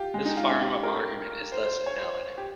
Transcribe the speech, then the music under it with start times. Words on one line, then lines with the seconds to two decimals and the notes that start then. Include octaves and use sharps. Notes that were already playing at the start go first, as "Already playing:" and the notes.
This form of argument is thus invalid.
Already playing: F4 G4
0.14 G#3
0.25 D#4
0.37 F4
0.48 C#4
0.60 G4
0.83 A#4
1.52 C5
1.63 C5
1.86 C#5
1.98 C5
2.38 G4